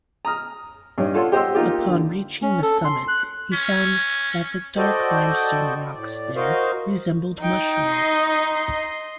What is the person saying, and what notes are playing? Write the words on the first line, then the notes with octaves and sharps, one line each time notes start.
Upon reaching the summit, he found that the dark limestone rocks there resembled mushrooms.
A#5 D#6 F6
G2 C#4 D#4
F4 A4 C#5 F#5 C6
G4 C5 D#5 F#5 C6 E6
A#3 D#4 F4 G4
D3
C#4
A4
C6
F#6
C#4
F#4 A4 C5 D5 D#5 G5
A2 D5
F#4 A#4 C5 D#5 F5
D#4 G5
D#5 C6